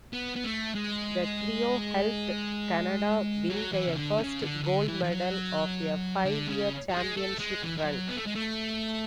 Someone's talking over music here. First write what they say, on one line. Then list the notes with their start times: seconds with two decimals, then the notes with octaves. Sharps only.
The trio helped Canada win their first gold medal of a five-year championship run.
0.13 B3
0.36 B3
0.44 A3
0.75 G#3
3.50 F#3
3.72 E3
3.86 C#3
3.95 D3
4.19 C#3
4.41 D3
4.64 D3
4.88 E3
5.03 E3
5.10 F#3
6.25 D3
6.47 C#3
6.89 F#3
6.94 G#3
7.17 A3
7.39 G#3
7.63 E3
7.78 E3
7.85 F#3
8.08 B3
8.17 A3
8.26 G#3
8.35 A3